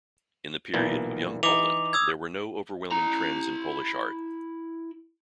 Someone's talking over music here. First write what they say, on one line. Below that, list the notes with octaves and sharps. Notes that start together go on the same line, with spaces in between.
In the period of Young Poland there were no overwhelming trends in Polish art.
B1 A#2 E3
E3 D#4 D6 F7
D#6 E6 G#6
E4 A#5